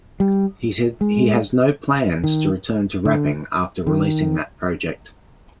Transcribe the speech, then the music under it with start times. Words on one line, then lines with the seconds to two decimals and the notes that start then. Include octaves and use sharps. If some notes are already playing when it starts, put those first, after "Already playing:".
He said he has no plans to return to rapping after releasing that project.
0.20 G3
1.01 G#3
2.24 D#3
3.05 D3
3.87 D#3